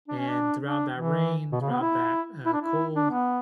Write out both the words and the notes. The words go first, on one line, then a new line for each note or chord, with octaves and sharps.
And throughout that rain, throughout that, uh, cold,
D4
C#4
D4
D4
E3
B2
C#3
B3
E4
E4
D4
E4
D4
B3